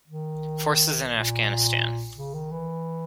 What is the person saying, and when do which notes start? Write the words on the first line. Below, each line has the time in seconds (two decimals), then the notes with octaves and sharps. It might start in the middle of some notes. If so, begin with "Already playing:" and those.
Forces in Afghanistan.
0.08 D#3
1.12 A#2
2.17 C#3
2.34 D#3
2.52 E3